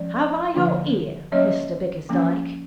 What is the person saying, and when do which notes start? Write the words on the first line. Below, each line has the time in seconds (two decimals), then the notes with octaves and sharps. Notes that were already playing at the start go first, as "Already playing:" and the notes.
Have I your ear, Mr Bickersdyke?'
Already playing: F3 G#3 C#4 D5
0.54 D3 F3 A#3 D4
1.32 F#3 A#3 C#4 C#5 D#5
2.09 F3 A#3 C#4